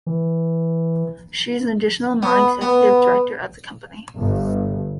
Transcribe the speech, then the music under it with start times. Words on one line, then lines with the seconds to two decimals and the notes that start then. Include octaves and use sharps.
She is an additional non-executive director of the company.
0.06 E3
2.22 B3
2.61 B3
4.17 G1